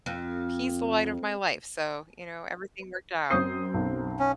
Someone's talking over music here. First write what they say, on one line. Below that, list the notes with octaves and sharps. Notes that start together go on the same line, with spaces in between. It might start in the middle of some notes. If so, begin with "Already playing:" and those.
he's the light of my life, so, you know, everything worked out.
F2
F#2 C4 D#6 G6 C7
B1
C#4